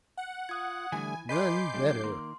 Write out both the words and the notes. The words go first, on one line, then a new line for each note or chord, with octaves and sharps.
None better.
F#5
F4 D#6 G#6
D3 E3 G3 A3 G#5
A#4 B4 D#5 G#5 C6 D6 G6 C7
F#3 G3 A3 D4
D#3 A#3 C6